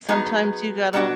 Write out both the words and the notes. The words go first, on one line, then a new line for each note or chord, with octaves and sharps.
Sometimes you gotta
F#3 B3 D#4 G#4
B2 F#3 B3 D4 F#4